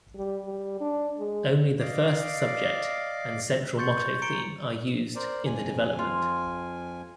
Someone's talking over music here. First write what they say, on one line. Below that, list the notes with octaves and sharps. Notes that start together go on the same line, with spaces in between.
Only the first subject and central motto theme are used in the development.
G3
G3
D4
G#3
D5 D#5 F5 D6
C6 C#6 G6 A6 C#7
G6
A#5 C#7 D7 G7
A#4 C5 D5
F2 G#5
F4